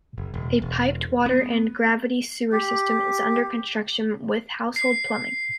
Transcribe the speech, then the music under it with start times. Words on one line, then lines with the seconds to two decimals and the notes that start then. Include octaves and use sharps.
A piped water and gravity sewer system is under construction, with household plumbing.
0.18 F#1
0.34 E1
0.62 E1
1.26 B3
2.52 G4
4.76 C7